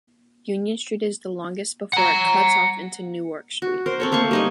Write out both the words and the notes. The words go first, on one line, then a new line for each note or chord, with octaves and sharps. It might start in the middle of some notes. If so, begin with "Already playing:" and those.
Union Street is the longest before it cuts off into Newark Street.
F#5 A#5
F#4
A#4 C5
C4 A4 C#5
A3 A#3 C5 C#6
G3 D#4 G#5